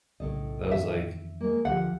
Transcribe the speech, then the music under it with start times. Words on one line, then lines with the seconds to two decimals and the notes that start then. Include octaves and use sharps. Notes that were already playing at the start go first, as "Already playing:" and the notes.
That was like,
0.20 B1 A2 C#3 A3 A4 D#5
0.71 F2 D#3 E3 E5
1.41 G#3 A#3
1.65 D2 F3 G4 A4 F#5